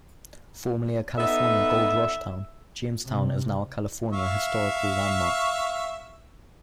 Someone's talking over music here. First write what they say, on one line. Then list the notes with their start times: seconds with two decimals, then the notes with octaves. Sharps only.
Formerly a California Gold Rush town, Jamestown is now a California Historical Landmark.
1.18 B3 D#4 A4 E5
3.07 C3
4.13 E5 F5 C#6